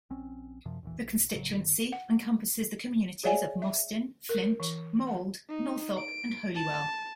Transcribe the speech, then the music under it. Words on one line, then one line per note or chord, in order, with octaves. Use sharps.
The constituency encompasses the communities of Mostyn, Flint, Mold, Northop and Holywell.
A#1 C4 C#4
F#2 C3 F3
E1 A#1 A#2 E3
B1
A1 C#3 F#3
G1 D#3
F#5
G#4 C#5 D5 E5 F#5 G#5
E5
A#4
E3
F#5
D#4
D7
A5